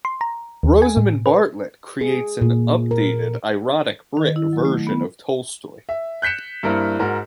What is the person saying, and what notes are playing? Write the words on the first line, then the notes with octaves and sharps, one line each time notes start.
Rosamund Bartlett... creates an updated ironic-Brit version of Tolstoy.
C6
A#5
D#2
G#5
A2
B4
G#4
A#2
A#4
D#3
E4
F#3
A3
B3
E5
F#6 G6 B6 C#7 E7
G2 A#3 E4 A#4 C5
G#2 F#4 A#4